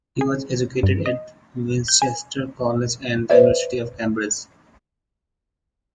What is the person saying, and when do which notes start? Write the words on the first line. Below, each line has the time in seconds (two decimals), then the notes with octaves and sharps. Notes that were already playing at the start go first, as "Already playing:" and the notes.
He was educated at Winchester College and the University of Cambridge.
0.21 G#4
0.83 G2
1.06 D#5
1.88 G6
2.02 G#5
3.30 B4 C5 D5 E5